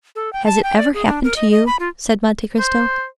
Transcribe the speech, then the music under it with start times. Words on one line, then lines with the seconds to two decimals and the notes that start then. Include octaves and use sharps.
"Has it ever happened to you?" said Monte Cristo.
0.15 A4
0.33 G5
0.45 A5
0.63 G5
0.78 D5
0.94 G#4
1.07 D4
1.24 A#4
1.36 D#5
1.51 D#5
1.66 B5
1.79 F4
2.59 C5